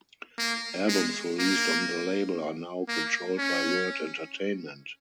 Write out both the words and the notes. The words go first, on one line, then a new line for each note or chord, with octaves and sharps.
Albums released on the label are now controlled by Word Entertainment.
A#3
G#3
A#3
A#3
C#4